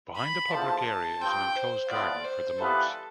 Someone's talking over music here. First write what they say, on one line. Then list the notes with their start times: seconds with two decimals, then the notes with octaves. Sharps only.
Behind the public area is an enclosed garden for the monks.
0.16 B5
0.51 E2 D3 F3 A5
1.21 G2 F3 C4 G5
1.56 C5
1.89 A2 F3 B3 F4 D5
2.24 C5
2.59 E3 G3 B3 F4 A4 B4